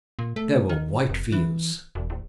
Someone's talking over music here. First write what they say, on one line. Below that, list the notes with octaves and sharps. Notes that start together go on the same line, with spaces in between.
There were white fields.
A#2
A3
D#3
F1
E3
E1
D1